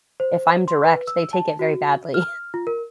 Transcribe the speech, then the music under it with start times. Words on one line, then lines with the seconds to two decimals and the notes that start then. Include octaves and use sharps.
if I'm direct, they take it very badly.
0.20 C5
0.68 C6
0.84 B4
1.07 E6
1.33 A5
1.59 F#4
2.14 F6
2.54 F4
2.67 A#4